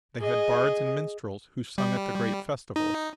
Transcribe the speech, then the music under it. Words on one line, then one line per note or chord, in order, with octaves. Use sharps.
They had bards and minstrels, who sung at the great festivals.
G#4 D#5
G3
D#4